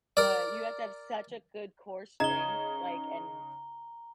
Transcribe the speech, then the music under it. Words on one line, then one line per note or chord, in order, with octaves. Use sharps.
but, you have to have such a good core strength, like, and
A#4 D5
C#3 D#4 A#5 G#6 G7